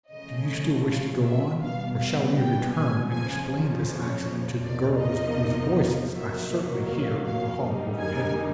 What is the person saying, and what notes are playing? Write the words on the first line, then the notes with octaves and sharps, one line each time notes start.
"Do you still wish to go on, or shall we return and explain this accident to the girls whose voices I certainly hear in the hall overhead?"
C#3 F3 A3 D#5
F5
E5
B2 G3 B3 F5
F5
G5
G#5
F2 C#3 F3 G#5
C#5
E2 C3 F3 A#3 D#4 D5
D#5
F2 C3 D#3 F#3 A#3 E5
F5
F5
F#2 D3 G3 A#3 D#4
G#5